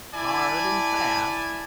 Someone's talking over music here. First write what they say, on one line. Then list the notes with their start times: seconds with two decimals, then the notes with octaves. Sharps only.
"Hard and fast."
0.15 E4 D5 G#5 A5